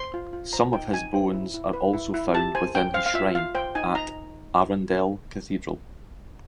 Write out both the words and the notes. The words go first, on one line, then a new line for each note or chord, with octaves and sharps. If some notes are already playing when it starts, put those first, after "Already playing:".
Some of his bones are also found within his shrine at Arundel Cathedral.
Already playing: C5 C6
F4
F4
C5 A#5
D#4 G5
D#4 G#5
C5
E4
E4
B4
E4
E4
G4 A5
C5 G#5
C#4 G5
C5 F5
F5
F4 E5
F4 F5
C5 G5
D#4 G#5
D#4 A#5